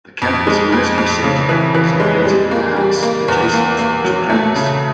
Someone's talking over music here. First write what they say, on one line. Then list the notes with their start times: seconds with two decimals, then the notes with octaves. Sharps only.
The Campus Ministry Center is located in a house adjacent to campus.
0.22 F2
0.47 G#3
0.72 F2
0.98 F2
1.23 C#3
1.49 E3
1.75 E3
2.00 G#3
2.25 G3
2.51 A#3
2.76 G3
3.03 A#3
3.28 E2
3.53 A#3
3.79 A#3
4.04 F#3
4.30 A3
4.56 C#3